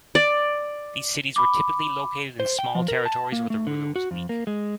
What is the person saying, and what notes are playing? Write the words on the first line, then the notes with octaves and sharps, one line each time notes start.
These cities were typically located in small territories where the ruler was weak.
D5
B5 D6
C5
G5
F3
A#4
A5
A#3
A3
D3
F#4
F2
A#3
G#3